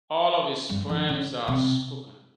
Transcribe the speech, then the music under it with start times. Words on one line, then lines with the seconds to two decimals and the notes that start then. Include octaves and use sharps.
All of his poems are spoken.
0.69 G2
0.89 E3
1.09 C#3
1.48 C3